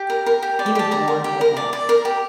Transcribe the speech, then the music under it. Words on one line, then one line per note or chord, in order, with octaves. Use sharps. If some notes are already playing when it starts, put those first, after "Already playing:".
He was born at Metz.
Already playing: G4
A#4
A#4
G4
D5
G5
G4 A5
D5 A#5
A#4
G4
A#4
D5
D5
A#4
G4